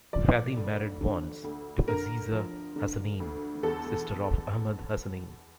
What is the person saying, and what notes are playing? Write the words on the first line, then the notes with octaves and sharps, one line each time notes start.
Fathy married once, to Aziza Hassanein, sister of Ahmed Hassanein.
F3 D5
D2
D3
D2
D3 A#4
F3
D3
D2
E2 A4